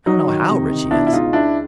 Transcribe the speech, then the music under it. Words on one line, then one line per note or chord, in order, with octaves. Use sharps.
I don't know how rich he is!
F#3 D#4
D#3
C3
D#3
B2 D4 E4
E4
C#2 D#4 F4
C#2 D4 E4